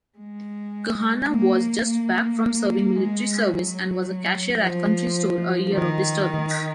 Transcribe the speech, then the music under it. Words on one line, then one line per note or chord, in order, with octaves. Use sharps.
Lkhanaa was just back from serving military service and was a cashier at country store a year of disturbance.
G#3
A#3
A#3
G#3
F#3
F3
D#3